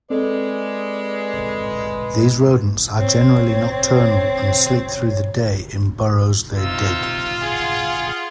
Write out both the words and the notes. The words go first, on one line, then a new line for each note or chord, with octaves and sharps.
These rodents are generally nocturnal and sleep through the day in burrows they dig.
G#3 C4 A4 B4 D5
C4 C#5
C3 D#4 F4 E6
G#4 F#5